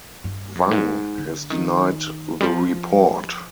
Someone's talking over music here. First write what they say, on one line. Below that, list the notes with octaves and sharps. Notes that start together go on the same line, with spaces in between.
Wang has denied the report.
G2
F2
G#2
D3
D#3
G3
F3
F3